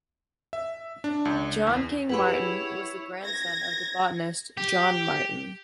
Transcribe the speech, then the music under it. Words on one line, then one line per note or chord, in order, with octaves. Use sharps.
John King Martyn was the grandson of the botanist John Martyn.
E5
D4
C#2
E2
E4 G4 G#4 B4 C#5 F#5 G5 B5
G#6 A#6
G4